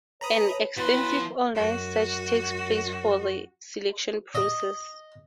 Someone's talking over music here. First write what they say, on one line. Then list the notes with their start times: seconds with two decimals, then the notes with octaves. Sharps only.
An extensive online search takes place for the selection process.
0.21 A4 B4 C#5 A#5 B5 D#6
0.77 F3 B3 C#4 E4 F#4 B4 C6
1.55 F#2 F#4
4.35 D#5